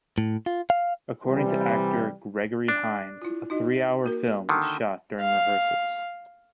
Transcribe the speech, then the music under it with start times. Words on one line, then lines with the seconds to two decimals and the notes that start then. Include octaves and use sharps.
According to actor Gregory Hines, a three-hour film was shot during rehearsals.
0.18 A2
0.46 F4
0.70 F5
1.27 C3 E3 G3
2.68 D4
3.22 E4 F4
3.50 D#4 F#4 D#5
4.04 A#3 F#4 A#4
4.49 D3 D#3
5.20 F5